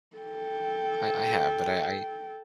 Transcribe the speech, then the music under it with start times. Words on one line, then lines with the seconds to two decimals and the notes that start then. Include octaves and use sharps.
I I have, but I
0.16 A4 G5